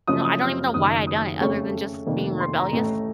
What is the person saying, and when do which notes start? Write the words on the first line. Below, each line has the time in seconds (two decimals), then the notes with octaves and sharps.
you know, I don't even know why I've done it other than just being rebellious.
0.08 F#1 F#2 F3 D#6
0.25 D#6
0.41 F6
0.74 F#1 F#2 D#3 D#6
1.07 D#6
1.40 F2 C#3 A3 C#4 C#6
2.06 F1 F2 D#3 A#3
2.40 C6
2.56 A#5
2.72 A1 A2 A3